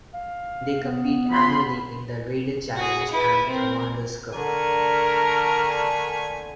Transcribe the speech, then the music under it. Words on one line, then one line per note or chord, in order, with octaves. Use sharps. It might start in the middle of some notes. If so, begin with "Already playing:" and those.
They compete annually in the Raider Challenge and the Commander's Cup.
F5
B3
F3 B5 C6
F#4 G#4
E4 B4
C4 A#4
D3 A3 D4 A#4 G#5